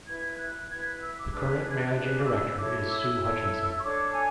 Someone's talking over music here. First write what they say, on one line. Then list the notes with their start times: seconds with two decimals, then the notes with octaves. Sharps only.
The current Managing Director is Su Hutchinson.
0.07 E4 B4 G#6
0.38 F#6
0.69 E4 B4 G#6
0.85 F#6
1.00 E6
1.17 D6
1.32 D4 G#4 B4 F#6
1.63 F#6
1.70 G#6
1.78 F#6
1.94 D4 G#4 B4 F#6
2.20 D6
2.26 E6
2.58 E4 A4 C#5 D6
2.77 D6
2.89 E6
3.20 E4 A4 C#5
3.78 C#6
3.83 D4 A4 C#5 D6
4.14 G#5